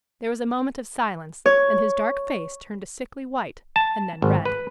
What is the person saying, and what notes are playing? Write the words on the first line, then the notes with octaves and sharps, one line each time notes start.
There was a moment of silence, and his dark face turned a sickly white and then red.
C#5
A5
G#1
B4